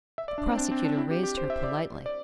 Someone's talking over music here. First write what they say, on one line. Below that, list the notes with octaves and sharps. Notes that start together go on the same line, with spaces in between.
The prosecutor raised her politely.
E5
D5
D4
C4
D4
C4
D4
E4
G4
G4
C5
E5
D5
D5